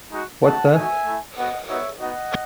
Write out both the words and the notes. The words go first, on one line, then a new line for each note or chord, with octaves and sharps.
What the...?
G#3 D#4 F#4
A3 D#4 F#4 F#5 A5
A3 D#4 F#4 E5 G#5
A3 E4
B3 F#4 D#5 F#5
B3 D#4 F#4 C#5 E5
B3 D#4 F#4 D#5 F#5